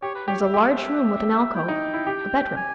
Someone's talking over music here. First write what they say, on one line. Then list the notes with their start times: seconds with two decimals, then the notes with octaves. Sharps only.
It was a large room with an alcove--a bedroom.
0.02 G4 C#5
0.16 B4
0.28 G4 C#5
0.41 E5
0.54 G4
1.55 E4 G5
1.68 D#4
1.94 E4
2.07 G4
2.57 G#5